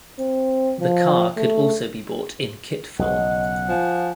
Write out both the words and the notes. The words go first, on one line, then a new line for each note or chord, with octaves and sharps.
The car could also be bought in kit form.
C4
F3
A3
B1 C#3 D#5 F#5
F3 G#5